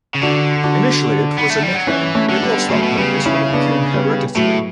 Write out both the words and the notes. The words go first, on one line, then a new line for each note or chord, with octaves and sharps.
Initially, it was a nickname, but it lost that purpose when it became hereditary.
C#3
D3 D4 F#4
D4 F#4
B3
A3
G3
F#3
E3 C#4 E4
A3 C#4
D3
G3 B3
C#3 F#3 A3
B2
C#3 G3 B3
C#4 E4
B3 D4
G3 B3
A2 F#3 A3